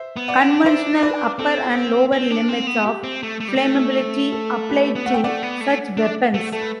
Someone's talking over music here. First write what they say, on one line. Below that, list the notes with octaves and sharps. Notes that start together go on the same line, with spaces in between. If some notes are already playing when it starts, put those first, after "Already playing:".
Conventional upper and lower limits of flammability apply to such weapons.
Already playing: C5 E5
B3
D5 F#5
D4
D4 C5 E5
B4 D5
C4 A4
C4
D4
C4
B3
G4
C4
A3
A3
G3
A3
A4
G4 B4
B3
A3 F#5
G5
A3 D5 F#5
B3
A3
D4
A3
A3 A4
B4